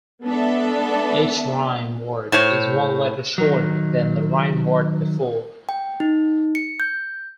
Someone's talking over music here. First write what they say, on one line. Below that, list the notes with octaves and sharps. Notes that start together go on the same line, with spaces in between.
Each rhyme word is one letter shorter than the rhyme word before.
G#3 B3 D4 A4 E5
A2 C5 C#5
D#3 F#3
G5
D#4
C#7
G6